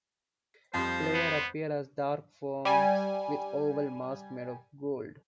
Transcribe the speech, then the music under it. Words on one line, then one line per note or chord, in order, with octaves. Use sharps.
Players appear as dark forms with oval masks made of gold.
F2 F3 G3 C5
B3
G3 G#5